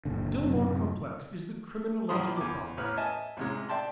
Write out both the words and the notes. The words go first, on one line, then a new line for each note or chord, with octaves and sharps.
Still more complex is the criminological problem.
F#1 A#2 D3
F#2 A2 C3
A#1 F3 E4 B5 C6 D#6
E2 D6
A1 A2 B4 F6
D#5 E5 G#5 A5
A1 C3 G#3
D5 E5 G5 A5 C6